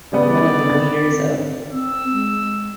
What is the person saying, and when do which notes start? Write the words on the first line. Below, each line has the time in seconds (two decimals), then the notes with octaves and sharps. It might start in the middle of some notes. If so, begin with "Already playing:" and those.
one of the leaders of
0.12 C#3 G3 B3 D5
0.70 C4 A6
1.73 C4 E6
2.13 G#3